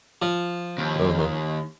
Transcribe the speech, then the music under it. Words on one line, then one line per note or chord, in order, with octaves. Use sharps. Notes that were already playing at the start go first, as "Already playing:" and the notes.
Uh huh.
F3
D#2